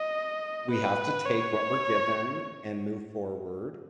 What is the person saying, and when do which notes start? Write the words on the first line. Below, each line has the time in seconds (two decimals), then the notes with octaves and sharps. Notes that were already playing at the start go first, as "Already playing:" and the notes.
we have to take what we're given and move forward,
Already playing: D#5
0.71 B4
1.26 C#5